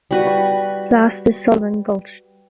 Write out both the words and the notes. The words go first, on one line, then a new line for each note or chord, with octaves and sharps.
Last is Sullivan Gulch.
G3 F#4 B4